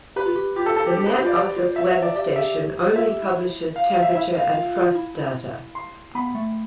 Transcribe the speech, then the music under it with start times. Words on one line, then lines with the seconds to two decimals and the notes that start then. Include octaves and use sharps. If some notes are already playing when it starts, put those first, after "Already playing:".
The Met Office weather station only publishes temperature and frost data.
0.16 G4 B4
0.26 F4
0.36 G4
0.56 F4 G4
0.66 A4
0.76 E4 A4
0.86 G4
0.97 D4 G4
1.06 B4
1.10 D4
1.16 G4 C5
1.23 F4 D5
1.36 G4 D5
1.56 F4
1.76 F4 E5
1.90 E5
2.02 D5
2.16 G4 D5
2.36 E5
2.96 F4 E5
3.09 G4
3.22 E4
3.36 E4
3.76 F5
3.89 F5
4.02 E5
4.15 E4 E5
4.35 F5
4.55 F4
4.75 F4
4.95 E4
5.15 E4
5.75 C6
6.15 B3 B5
6.35 A3